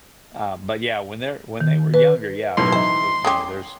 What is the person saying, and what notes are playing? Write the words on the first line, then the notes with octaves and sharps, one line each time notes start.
uh but yeah, when they're when they were younger, yeah, there's, eh you know, there's
D#3
B4
B1 A2 C6
E3 D#4 C5
G#3 C#4 G4